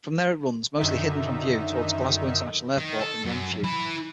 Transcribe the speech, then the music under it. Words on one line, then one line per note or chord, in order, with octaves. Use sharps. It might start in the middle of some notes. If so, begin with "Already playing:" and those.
From there it runs, mostly hidden from view, towards Glasgow International Airport and Renfrew.
F#2 D3 D#3 D#4 E5
D#3
A4
F#2
E4 B4